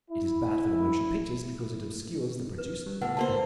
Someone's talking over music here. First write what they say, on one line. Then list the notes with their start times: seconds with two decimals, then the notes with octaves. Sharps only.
It is bad for the motion pictures because it obscures the producer.
0.11 E4
2.58 B4
2.86 G3
3.01 A2 C#3 B3 B4 F#5
3.17 E3 A#3 C5 A5
3.29 G#2 A3